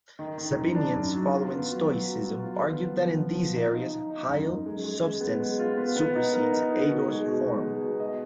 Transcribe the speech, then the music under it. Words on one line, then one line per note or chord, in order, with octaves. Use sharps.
Sabinians, following Stoicism, argued that in these areas "hyle" 'substance' supersedes "eidos" 'form'.
D#3
D#3
F#2
D4
F#2
F#3
F4
B3
F#3
F#3
F#3
F#3
F4
B3
F3
F3
F3
F3
D#4
D#4
D#4
D#4
F#2
F#2
G#3
G#3
G#3
B3
G#3
F4
B3
B3
D#4
A#4
D#4
D#4
B2
G#3
B2
B3
G#3
B2
D#5